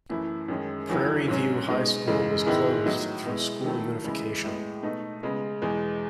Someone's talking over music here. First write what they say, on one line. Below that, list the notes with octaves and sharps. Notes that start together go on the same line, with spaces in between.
Prairie View High School was closed through school unification.
F#2 E3 A3 E4
F#2 D#3 G#3 C#4
E2 D#3 F#3 B3 E4
G#2 F#3 C#4
B2 G#3 D#4
F#2 C#3 E3 G#3
G#2 D#3 G#3 B3 E4
A2 F#3 B3 D#4
B2 G#3 B3 E4
D#3 F#3 A3 E4
E2 C#3 G#3 B3 E4
A2 G#3 B3
B2 A3 D#4
C#3 G#3 B3
E2 B2 G#3